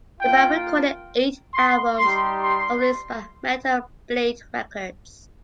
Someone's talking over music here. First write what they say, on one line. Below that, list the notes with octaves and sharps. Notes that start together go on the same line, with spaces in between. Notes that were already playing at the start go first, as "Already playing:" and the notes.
The band recorded eight albums, all released by Metal Blade Records.
A#3 F4 G5
C6
G3 D#4 G4 C6
C6